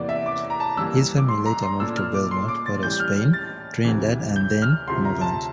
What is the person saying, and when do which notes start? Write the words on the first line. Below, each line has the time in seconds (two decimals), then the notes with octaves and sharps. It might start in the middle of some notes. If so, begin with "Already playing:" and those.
His family later moved to Belmont, Port-of-Spain, Trinidad, and then Morvant.
Already playing: E2 C3 E3 A#3 D5
0.09 E5
0.26 D6
0.50 A#5
0.60 A5
0.77 G2 E3 G3 A#3 E6
1.18 D6
1.28 C6
1.46 A#5
1.63 C6
1.80 A#2 A3 D4 E6
1.97 F6
2.14 D6
2.31 C6
2.48 D6
2.66 A6
2.82 A2 E3 G3 G6
3.00 F6
3.16 F6
3.33 A6
3.85 D2 C3 E3
4.36 G6
4.62 F6
4.87 D2 C3 F3 C6
5.05 A#5
5.21 A5